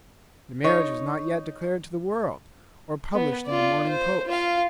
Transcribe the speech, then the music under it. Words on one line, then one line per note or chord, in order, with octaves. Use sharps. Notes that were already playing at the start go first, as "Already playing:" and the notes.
The marriage was not yet declared to the world, or published in the Morning Post.
D#4 C#5
B3
F4 D5
C5
F4 F5